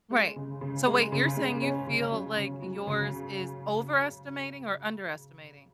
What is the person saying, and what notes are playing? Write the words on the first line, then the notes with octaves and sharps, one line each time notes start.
Right. So, wait, you're saying you feel like yours is overestimating or underestimating?
G#3
C#3
C#3
G#3
C#3
G#3
C#4
C#3
F#3
C#3
F#3
C#3